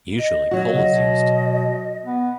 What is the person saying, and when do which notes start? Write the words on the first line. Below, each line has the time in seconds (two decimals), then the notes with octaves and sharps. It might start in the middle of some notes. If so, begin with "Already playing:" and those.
Usually, coal is used.
0.19 D#5
0.51 F#3 F#4
0.72 C#3 D#5
0.89 B2
2.05 B3